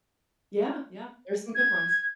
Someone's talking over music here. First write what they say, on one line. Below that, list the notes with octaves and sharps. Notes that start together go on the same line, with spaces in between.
Yeah. Yeah. There's some good ones.
G#6